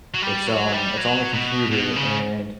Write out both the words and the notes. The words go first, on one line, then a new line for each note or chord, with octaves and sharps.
It's, um, it's on the computer, and
F#3
G3
F#3
G3
F#3
B2
B2
C#3